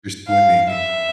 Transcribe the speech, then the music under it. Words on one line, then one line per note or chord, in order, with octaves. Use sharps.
You're swimming.
F5
E5